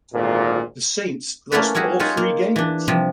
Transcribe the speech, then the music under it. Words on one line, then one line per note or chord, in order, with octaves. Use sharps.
The Saints lost all three games.
G#1 D2 A#2
A3 A#3 C#4 E4 A4 B4
G3 C#4 E4 F#4 G#4
D#4 F4 G#4 B4 C#5
A#3
E3 D4
C3 F3 G3